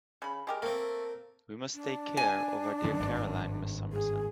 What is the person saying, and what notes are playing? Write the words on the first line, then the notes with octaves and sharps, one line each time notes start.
We must take care of our dear Caroline, Miss Summerson.
C#3 B5
G#3 G4 A#4
A3 A#3 C4
D4
G#5
F#2 D3 D#3
G#1 G2
G#4